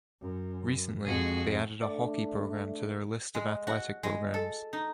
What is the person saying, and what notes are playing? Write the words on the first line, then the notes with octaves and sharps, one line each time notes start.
Recently, they added a hockey program to their list of athletic programs.
F#2
F2 G#3 F#4 G#4
A3 D4 D5 E5
G#3
F#4
G#3
A4
D#4